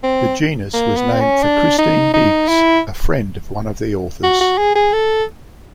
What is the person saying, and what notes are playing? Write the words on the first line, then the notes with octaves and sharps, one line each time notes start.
The genus was named for Christine Biggs, a friend of one of the authors.
C4
A#3
B3
C4
C#4
D4
D#4
D#4
E4
F#4
F#4
G#4
G#4
A4